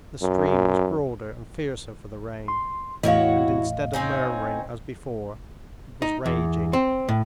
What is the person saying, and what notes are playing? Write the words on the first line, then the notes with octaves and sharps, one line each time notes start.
The stream was broader and fiercer for the rain, and instead of murmuring as before, it was raging.
F#2
C6
E2 A2 E4 F#4 C#5 D#5 F5
C4 C#4 D#4
D#4
E2
C4
A2